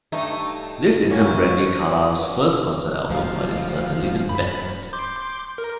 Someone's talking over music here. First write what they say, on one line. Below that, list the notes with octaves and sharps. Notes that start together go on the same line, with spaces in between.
This isn't Brandi Carlile's first concert album, but it's certainly the best.
G2 A3 D#4
F#2 A#2 C#4
D2 F3 F5
F#2 B5
C6 D6 G6
A#4